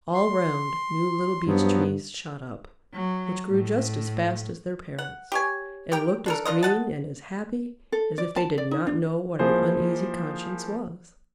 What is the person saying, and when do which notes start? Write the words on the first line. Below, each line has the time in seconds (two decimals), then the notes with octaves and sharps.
All round new little Beech Trees shot up, which grew just as fast as their parents, and looked as green and as happy as if they did not know what an uneasy conscience was.
0.14 C6
1.47 G2 F3 F#3 B3
2.94 F#3
3.49 A2
4.99 F#5
5.32 G4 C#5 G#5
5.92 G4 A#4 G5
6.26 D4 A4 A#4
6.45 D4 F4 D#5
6.63 D#5 F#5 A5
7.92 A4
8.18 D5
8.36 A5
8.58 D5
8.71 D#4
8.87 D4
9.39 F3 A#3 E4 G#4 C5